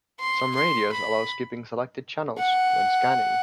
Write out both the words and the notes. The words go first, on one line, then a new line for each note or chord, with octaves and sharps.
Some radios allow skipping selected channels when scanning.
C6
C6
B5
F#5